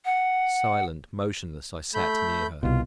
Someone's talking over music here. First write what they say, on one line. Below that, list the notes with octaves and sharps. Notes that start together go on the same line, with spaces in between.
Silent, motionless, I sat near her.
F#5
A3 B5 G6
C2 B2 F4